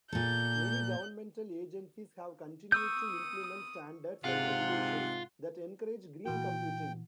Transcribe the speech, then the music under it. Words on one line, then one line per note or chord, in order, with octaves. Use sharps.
Many governmental agencies have continued to implement standards and regulations that encourage green computing.
A#2 A4 G6
C#6 D#6 E6 G6
G#2 C3 F4 F#5
A#2 E3 F#4 G5